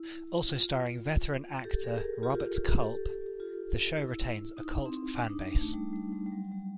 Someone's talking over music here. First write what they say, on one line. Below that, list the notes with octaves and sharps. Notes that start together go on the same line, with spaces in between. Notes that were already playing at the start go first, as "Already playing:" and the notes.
Also starring veteran actor Robert Culp, the show retains a cult fanbase.
Already playing: E4
F4
G4 A4
G#4 A#4
F4 G4
G4 A4
F4 G4
E4
D#4
C4
D4
D#4
D#4
A3
G3
G3
G3
G3
F#3
G3